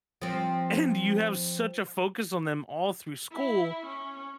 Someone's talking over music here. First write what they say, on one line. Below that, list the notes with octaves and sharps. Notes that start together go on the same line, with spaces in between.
And you have such a focus on them all through school,
F3 C4
E4
C#4